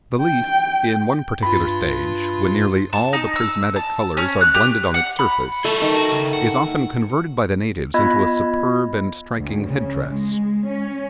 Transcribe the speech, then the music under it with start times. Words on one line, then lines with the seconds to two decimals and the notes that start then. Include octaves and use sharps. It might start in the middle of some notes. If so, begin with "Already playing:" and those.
The leaf, in one particular stage, when nearly all the prismatic colours are blended on its surface, is often converted by the natives into a superb and striking head-dress.
0.22 G5
1.43 G2 F4 B5
2.93 A5
3.13 D#4
3.36 E6
3.76 A5
4.17 C#4
4.41 F#6
4.54 G4
4.94 F#5
5.19 B5
5.65 A3 G#4 E5 A5
5.81 D#3
5.96 F#4
6.11 C#3
6.33 F#5
7.94 B3 F4 D#5 B5 G#6
9.38 D2
9.69 C#3
10.11 G#3
10.68 C#4